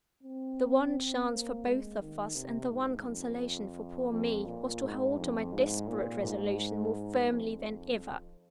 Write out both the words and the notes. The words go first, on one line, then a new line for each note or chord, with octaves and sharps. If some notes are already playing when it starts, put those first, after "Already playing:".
The one chance for both of us, and the one consolation for poor Me, was to hold to my desperate resolution more firmly than ever.
C4
A#3
G#3
D#3
C3
G#2
F2
F2
A#2
G#2
F2
G#2
A#2
G#2
F2